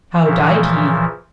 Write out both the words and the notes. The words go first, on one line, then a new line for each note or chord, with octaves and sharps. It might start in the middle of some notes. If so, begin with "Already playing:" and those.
"How died he?"
A#2 C#3 E3 F3